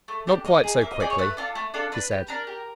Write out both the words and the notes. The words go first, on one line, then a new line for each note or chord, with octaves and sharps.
"Not quite so quickly," he said.
A3
D4 G4
A#3 D#5
D#4 G#4
A#3 E5
D#5
D#4 G#4 D5
C#5
A3 B4
D4 F4 A4
A3
D4 F4 A4
D4 B4
G4
D4 A#4
G4